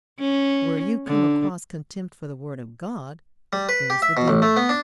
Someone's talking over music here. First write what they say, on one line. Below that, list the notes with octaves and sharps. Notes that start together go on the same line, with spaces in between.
Where you come across contempt for the Word of God, there is the devil.
C#4
D3
G3
B4
G4
E5
B2
A1
A3
B3
D4